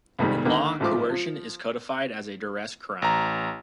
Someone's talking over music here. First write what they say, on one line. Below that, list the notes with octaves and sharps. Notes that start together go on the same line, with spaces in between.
In law, coercion is codified as a duress crime.
C2 F2 G#2 D#3 G3
D#2 D3 D#3 A#3
A1 G#2 F3 F4 D6
F3
A1 A#5